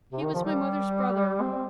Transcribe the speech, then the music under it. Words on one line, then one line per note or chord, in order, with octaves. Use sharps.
He was my mother's brother.
C3
D#3
F3
G3
C4